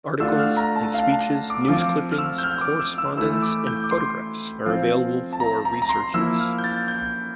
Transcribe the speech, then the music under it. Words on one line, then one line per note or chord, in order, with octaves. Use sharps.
Articles and speeches, news clippings, correspondence, and photographs are available for research use.
D3 A3 D4 F4 E6
F6
A#5
A5
F5
A5
D6
F3 C4 F4 D6
F6
E6
G6
F6
D6
E6
E6
E3 A3 E4 E6
D6
G6
D6
C6
F3 C4 F4
A5
A#5
A#5
A#5
C6
F3 A#3 E4 E6
F6
G6
A6
G6